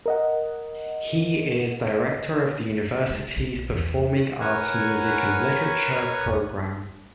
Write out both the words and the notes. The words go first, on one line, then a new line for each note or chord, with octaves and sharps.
He is director of the university's Performing Arts Music and Literature Program.
A#4 D#5 F#5
G#3
B1
E2
A#4 B4 C#5 F#5 G#5